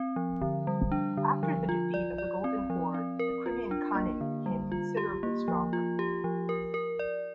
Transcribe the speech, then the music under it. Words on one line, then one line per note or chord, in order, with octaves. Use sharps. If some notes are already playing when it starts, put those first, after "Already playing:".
After the defeat of the Golden Horde, the Crimean Khanate became considerably stronger.
Already playing: C4
F3
D3
G3
D4
D3
F3
F4
D5
D5
C4
F3
C4
A#4
F4
D4
A#3
D3
G3
F4
G4
A#3
F3
F4
G4
F3
A#4
A#4
D5